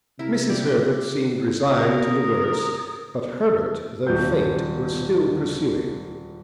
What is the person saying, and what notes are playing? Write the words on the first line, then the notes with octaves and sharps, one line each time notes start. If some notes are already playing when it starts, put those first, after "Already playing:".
Mrs. Herbert seemed resigned to the worst, but Herbert, though faint, was still pursuing.
C3 E4 A#4
G4 D5
A#4 D#6
D#1 G6